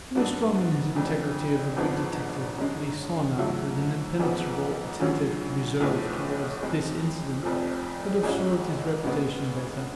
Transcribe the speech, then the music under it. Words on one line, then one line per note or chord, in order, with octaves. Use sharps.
He was strong in his integrity of a good detective, but he saw now that an impenetrably attentive reserve towards this incident would have served his reputation better.
G#2 F#3 B3 D4
F1 F2 D3
G#1 G#2 F3 B3 D4
F#2 D3 G#3
G#2 F#3 A3 F4
A1 G#2 F3 B3
D2 D3 F#3 C#4 F4
B1 A2 F3 B3
F2 F3 G#3
F1 F2 F3
A1 G#2 G#3 C#4 F4
D2 C#3 G#3 B3